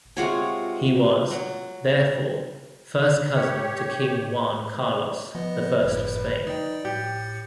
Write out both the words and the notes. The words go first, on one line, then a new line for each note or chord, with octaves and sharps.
He was, therefore, first cousin to King Juan Carlos the First of Spain.
C3 G#3 F4 F#4 C#5 G#5
F#3
G4 C#5
F3 B3 B4 D#5
G1 F#2 A2
D#4 D5 G5
A2 G4 A6 C#7